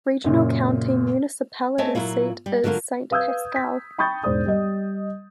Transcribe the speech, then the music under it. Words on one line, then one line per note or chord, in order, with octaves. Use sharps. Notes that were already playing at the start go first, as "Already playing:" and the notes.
Regional County municipality seat is Saint-Pascal.
F#2 A#2 C#3
A3 C4 C#5 D#5 G#5 A5
A#2 C#3 F#3 E4 F4
G3
D3 F#3 A#3 F4 A#4
B4 F5 D#6 E6 G6 G#6
B6
G5 B5 C#6 D#6 G6 A6
E1 G#2 C5 D5 D#6
G3 D#5